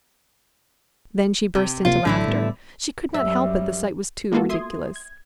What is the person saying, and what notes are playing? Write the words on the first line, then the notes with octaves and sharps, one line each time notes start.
Then she burst into laughter; she could not help it, the sight was too ridiculous.
C3
D1 C3 A#3 F4
A#1 A2 D3 F#3 A3 E4
A2 G3 B3
F#2 G3 E5
G#3 A#3 B3 F4 F#4 A4
E5 C6 D#6 G#6
G#6